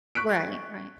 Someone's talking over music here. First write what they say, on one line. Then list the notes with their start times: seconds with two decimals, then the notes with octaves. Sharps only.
Right, right.
0.15 C#6 F#6 B6 D7